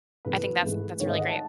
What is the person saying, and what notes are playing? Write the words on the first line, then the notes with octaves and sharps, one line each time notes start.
I think that's that's really great.
A2 E3 A3 B4
G#2 E3 A3
G#2 D#3 A3 C#5
D#5
F#5
A5